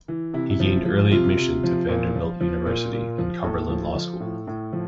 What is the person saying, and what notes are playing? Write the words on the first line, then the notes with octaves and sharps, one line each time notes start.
He gained early admission to Vanderbilt University and Cumberland Law School.
E3
C3 E4
E4
F3
F3
C3 F4
C3
F3
A#2
F3
F3
A#2 F4
A#2
F3
A2 A4
F3
F3
A2
A2
F3